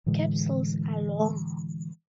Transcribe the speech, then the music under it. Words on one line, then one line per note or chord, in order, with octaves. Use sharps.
Capsules are long.
A2 D3 E3 G#3